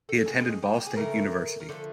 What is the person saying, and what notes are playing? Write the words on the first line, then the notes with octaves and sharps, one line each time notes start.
He attended Ball State University.
A4
A4
C3 D#3 G#3 G#4
G4
G4
G#4
C#3 E3 A3 A#4
A#4
D3 F3 A3 A4